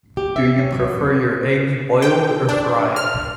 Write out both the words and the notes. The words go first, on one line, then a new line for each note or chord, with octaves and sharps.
Do you prefer your eggs boiled or fried?
G4
E5
C#4
F#3
G5
D4
F6